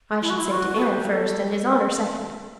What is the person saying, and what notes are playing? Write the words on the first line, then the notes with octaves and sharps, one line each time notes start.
I should say to Ann first and His Honor second.
E4
F#4
E4
F#4
A4
G4
A4